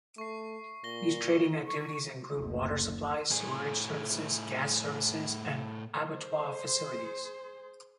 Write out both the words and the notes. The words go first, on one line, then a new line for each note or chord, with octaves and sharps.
These trading activities include water supply, sewerage services, gas services and abattoir facilities.
A3 C#6 C7
A#2 A#6 G7
C#6
F#1 D2
A2 G#4
G#4 C5